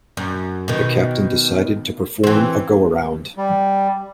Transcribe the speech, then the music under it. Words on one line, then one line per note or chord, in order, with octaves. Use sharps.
The Captain decided to perform a go-around.
F#2
B2 D#3
E3 C4
G3